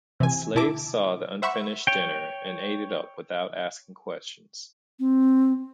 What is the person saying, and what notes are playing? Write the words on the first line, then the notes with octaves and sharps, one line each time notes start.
A slave saw the unfinished dinner and ate it up without asking questions.
C3 E3 G#5
B2 E4 A5 D6
C5 E5 F#5 B5 C#6
C#5 G5
C4